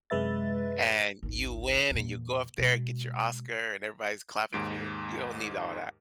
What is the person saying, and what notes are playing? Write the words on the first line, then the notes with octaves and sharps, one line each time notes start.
and you win, and you go up there, and get your Oscar, and everybody's clapping for you, you don't need all that.
F#2 C3 G#3 B4 E5 A6
G#1 C#2
E2 A#2
B2 G#3
D#2 G#2 D7